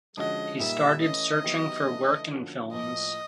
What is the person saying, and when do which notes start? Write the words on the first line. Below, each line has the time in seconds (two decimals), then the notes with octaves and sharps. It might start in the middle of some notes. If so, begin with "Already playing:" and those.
He started searchimg for work in films.
0.17 D3 F3 G#3 C#4 F#4 D#5
0.59 A#2 G3 A#3 D#4 E5
1.01 E3 A3 C#4 D#5
1.44 D#3 F#3 B3 E4 G4
1.87 C#3 E3 A3 D4
2.30 D3 F3 A#3 C#4 F#4
2.72 A2 F3 A#3 D#5